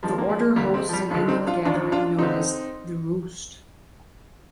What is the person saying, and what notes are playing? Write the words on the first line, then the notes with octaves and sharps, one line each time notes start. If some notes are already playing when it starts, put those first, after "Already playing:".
The Order hosts an annual gathering known as the "Roost".
G2 D#3 F3 G#3
A#3
F3 G#3
D2 D3 G3 A#3
G#3 C4
F3
G3
D#2 D3 F3 G#3
C4 D#4
D4 F4
D#2 D#3 D4 F4
D4 F4
D3 C4 D#4